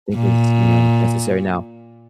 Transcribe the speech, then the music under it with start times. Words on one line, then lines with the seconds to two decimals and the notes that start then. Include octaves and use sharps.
think is, you know, necessary. Now,
0.15 A#2